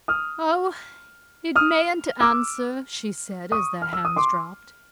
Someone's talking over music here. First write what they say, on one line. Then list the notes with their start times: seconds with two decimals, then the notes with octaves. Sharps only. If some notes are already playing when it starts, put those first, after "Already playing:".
"Oh, it mayn't answer," she said, as their hands dropped.
0.08 D#6 F6
1.56 D#6 F6
2.21 D6 E6
3.52 C#6 D#6
3.82 F6
3.93 E6
4.05 D#6
4.16 C6 D6